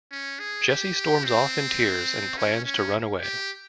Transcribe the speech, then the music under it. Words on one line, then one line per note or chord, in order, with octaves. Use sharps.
Jesse storms off in tears and plans to run away.
C#4
G#4
G4
C4
C#4
C#4
G4